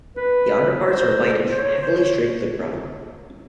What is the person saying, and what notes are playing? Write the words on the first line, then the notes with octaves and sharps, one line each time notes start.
The underparts are whitish, heavily streaked with brown.
B4
C5
C5
C#5
C5
C#5